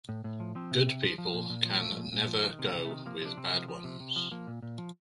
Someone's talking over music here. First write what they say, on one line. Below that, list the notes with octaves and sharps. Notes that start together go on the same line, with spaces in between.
Good people can never go with bad ones.
A2
A2
F3
F3 C4
C3
C3
F3
F3
A#2
A#2
F3
F3 A3
A#2
A#2
F3
D#3 A#3
C3
A#3
C3
A3
D#3
F3 A#3
C3 D4
C3 C4
F3
F3
C3
C3
F3
F3 A#3
A#2
A#2
F3